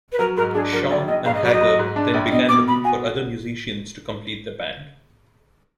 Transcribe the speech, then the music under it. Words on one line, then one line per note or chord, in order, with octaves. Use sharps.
Schon and Hagar then began looking for other musicians to complete the band.
B4
F#3 A#4
G#2 A#4
D4 G#4
F#3 A#4
A#1 D5
A#1 D#5
G#2 F5
D#5
F#3 D5
D#5
G#2
G#2
D4
A#1
B2 D#5
B2 D6
B2 B5
F#4 G#5